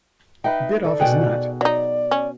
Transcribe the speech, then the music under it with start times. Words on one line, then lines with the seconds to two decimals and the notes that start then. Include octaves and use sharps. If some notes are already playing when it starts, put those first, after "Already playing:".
Bit off his nut.
0.44 D#4 B4 E5 G5
0.85 A4 D5
0.99 B2 G#4 F#5 G5
1.61 F#3 D#4 D5
2.11 C#4